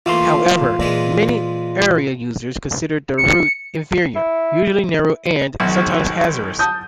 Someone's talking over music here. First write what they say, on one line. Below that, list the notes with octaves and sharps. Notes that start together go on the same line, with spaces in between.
However, many area users consider the route inferior, usually narrow, and sometimes hazardous.
E3 A3 A#3 F4 F5 C6
A#2 E3 G#3
C#7
E4
B1 G#2 D#3 F#3 F#4
A5 D#6 G6